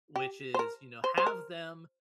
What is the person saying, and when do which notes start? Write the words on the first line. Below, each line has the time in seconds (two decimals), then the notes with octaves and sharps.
which is, you know, have them
0.16 G4
0.54 C5
0.59 A#4
1.04 C5
1.18 C5
1.26 A#4